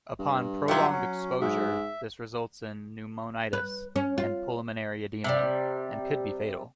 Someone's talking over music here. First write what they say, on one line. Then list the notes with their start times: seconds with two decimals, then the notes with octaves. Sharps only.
Upon prolonged exposure, this results in pneumonitis and pulmonary edema, and could be fatal.
0.19 G2
0.68 F#3 F4 G4 E5 F#5
0.92 C#4
1.41 G#2 E5
3.53 B4
3.96 C#4
4.18 F4
5.24 C3 E3 G3